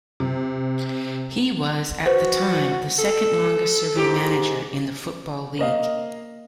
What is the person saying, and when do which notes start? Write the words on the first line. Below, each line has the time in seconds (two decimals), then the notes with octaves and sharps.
He was at the time the second longest serving manager in the Football League.
0.20 C3
2.06 F#4 B4 C5
2.99 A4
3.96 G#2 E4 G4
5.59 A#3 D#5 F5